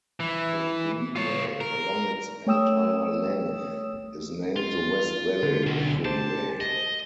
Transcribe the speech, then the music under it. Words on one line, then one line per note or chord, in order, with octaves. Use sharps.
The freeway, along its entire length, is named the West Valley Freeway.
E3
F4 C#5
A#4
A3 C#5 G5 D#6 E6 E7
F4
D3
B1
G4 C5 A5
D#5